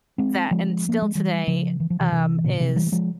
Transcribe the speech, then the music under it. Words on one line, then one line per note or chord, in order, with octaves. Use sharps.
that and still today, um, is
G#3 C4
F3 G#3
A#3
G#3
E3 G3
C#3 F3
E3
F3
C3 E3
C3 E3
A#2 C#3
C3 E3
F3
E3 G3
G3
F3 G#3